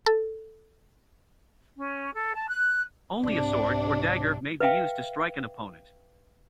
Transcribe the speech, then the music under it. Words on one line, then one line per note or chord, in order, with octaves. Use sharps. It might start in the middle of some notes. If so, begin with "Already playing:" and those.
Only a sword or dagger may be used to strike an opponent.
A4
C#4
A4
A5
F#6
C2 G#2 C3 D4
B4 E5 F5 G5